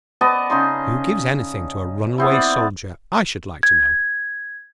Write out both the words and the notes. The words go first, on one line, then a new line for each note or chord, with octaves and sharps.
'Who gives anything to a runaway Soldier, I should like to know.
B3 D5 D#5 A5
C#3 D#4 C6
B3 C4 E4
D5
G#6